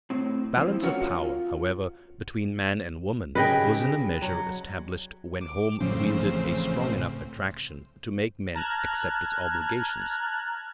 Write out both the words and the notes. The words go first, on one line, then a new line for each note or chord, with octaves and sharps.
Balance of power, however, between man and woman was in a measure established when home wielded a strong enough attraction to make men accept its obligations.
A2 C4
F3 C4 E4
C#4 F#4 A#4 C#5 F#5
F4
C#3 G4 G#4 B4 D#5 G5
F#3
D6
A1 A2 C#3 F3 C4 C#4
A5 A#5 F6 F#6 G#6